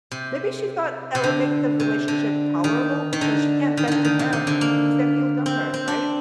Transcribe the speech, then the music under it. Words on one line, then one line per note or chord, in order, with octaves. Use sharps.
Maybe she thought that would make the relationship tolerable because she can't vent to him, 'cause then he'll dump her, right?
C3
C3
D3
C3
D3
D#3
D#3
D3
D#3
D3 D#3
D#3
C3
C3
D3
A#3
C4
C4
D4